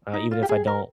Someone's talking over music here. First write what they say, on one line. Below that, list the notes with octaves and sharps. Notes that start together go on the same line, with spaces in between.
uh, even if I don't,
D#4
F4
G4
G#4
A#4